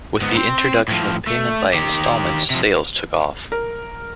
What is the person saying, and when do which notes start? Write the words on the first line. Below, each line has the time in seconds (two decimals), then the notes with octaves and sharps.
With the introduction of payment by installments, sales took off.
0.21 G#2 B3
0.36 C4 C5
0.88 A2 F3
1.27 A3
1.74 D#3 G4
2.50 C3 F3
3.52 A#4